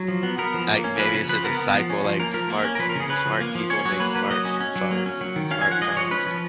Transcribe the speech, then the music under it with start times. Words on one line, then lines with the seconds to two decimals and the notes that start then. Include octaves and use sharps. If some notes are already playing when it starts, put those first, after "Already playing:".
I maybe it's just a cycle. Like, smart smart people make smart phones. Smartphones
Already playing: F#3
0.08 F3
0.23 B3
0.38 B3 A#4
0.54 F3
0.69 A#3
0.84 C#4
0.98 F3 B4
1.14 C#3
1.29 F3 B4
1.44 B3 A#4
1.59 B3
1.74 F3
1.90 C#4
2.05 F3
2.20 A#3 A#4
2.34 F3 A#4
2.50 A#3
2.64 C#4
2.75 A#4
2.79 F3 B4
2.90 A#4
2.95 C#3 G#4
3.09 C#4 B4
3.25 F3
3.41 A#3
3.55 F3
3.70 C#4 C#5
3.85 F#3 C#5
4.00 A#3 B4
4.15 F#3 B4
4.31 F#3 D#5
4.45 C#4
4.60 C#4
4.76 F#3
4.91 A#3
5.06 C#4
5.21 F#3
5.36 D#3
5.51 C#4 F5
5.61 G#5
5.66 F3
5.71 F#5
5.81 G#3 D#5
5.97 F3 C#5
6.11 C#4 B4
6.27 F3